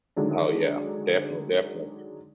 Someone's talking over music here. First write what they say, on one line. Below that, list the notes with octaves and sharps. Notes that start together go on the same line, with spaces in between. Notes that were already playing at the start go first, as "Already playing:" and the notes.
Oh, yeah, defin definitely.
D3 D#3 F#3 G#3 D4